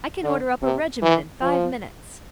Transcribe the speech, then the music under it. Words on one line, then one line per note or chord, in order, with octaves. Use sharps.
'I can order up a regiment in five minutes.'
D3
C3
E3
F3